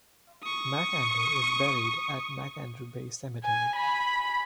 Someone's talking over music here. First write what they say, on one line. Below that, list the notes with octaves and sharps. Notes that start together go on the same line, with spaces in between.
Macandrew is buried at Macandrew Bay Cemetery.
C#6 D#6
G#5
B5